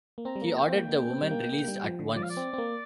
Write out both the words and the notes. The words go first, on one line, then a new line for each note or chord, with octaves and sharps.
He ordered the women released at once.
A#3
C4 A#5
G3
A#3
A#5
G5
C4
A#3
A#3
C4
G3
A#3
A#3
A#3
G3
F3
D3
F3 D5
F5
D5
C4
C4
A#3